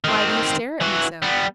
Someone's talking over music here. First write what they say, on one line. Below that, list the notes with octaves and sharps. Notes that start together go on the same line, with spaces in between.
'Why do you stare at me so?
D#3 C4
E3 F#4
G3 B3